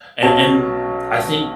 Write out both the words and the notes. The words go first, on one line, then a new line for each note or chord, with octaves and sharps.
And and, I think
B1 B2 F#3 C#4 A5